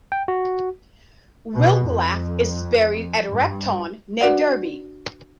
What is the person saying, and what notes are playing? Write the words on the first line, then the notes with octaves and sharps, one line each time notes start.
Wiglaf is buried at Repton, near Derby.
G5
F#4
B2
F2
G2
D4 F#4 B4 D5 F#5